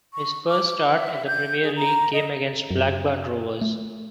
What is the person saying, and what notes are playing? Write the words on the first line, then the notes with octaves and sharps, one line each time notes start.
His first start in the Premier League came against Blackburn Rovers.
C#6
D6
E5
G6
G#4
A#5
D#5
F#2
A3